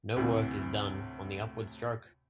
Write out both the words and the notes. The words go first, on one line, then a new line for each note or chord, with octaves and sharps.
No work is done on the upward stroke.
D2 A2 C3 E3